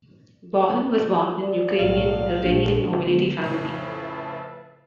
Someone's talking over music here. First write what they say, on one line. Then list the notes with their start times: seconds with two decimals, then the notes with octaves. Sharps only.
Bohun was born in Ukrainian-Ruthenian nobility family.
1.41 D5
1.79 B1 A2 F#3 F5
2.42 A#1 A3 D4
3.06 D3 G#3 B3
3.42 F2 A2 C#3 B4 E5 A5